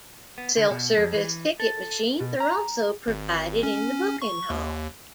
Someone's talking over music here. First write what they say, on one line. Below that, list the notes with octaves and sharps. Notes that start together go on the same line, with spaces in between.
Self-service ticket machines are also provided in the booking hall.
B3
D3
B2
F2
E3
A4
B2
A#5
G#1
C#4
C#6
D#2